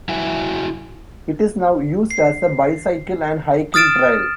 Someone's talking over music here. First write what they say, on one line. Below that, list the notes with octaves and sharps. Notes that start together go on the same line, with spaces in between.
It is now used as a bicycle and hiking trail.
F#3 E4 F#4 E5 G#5
C7
D#6 F6 A6 D7 E7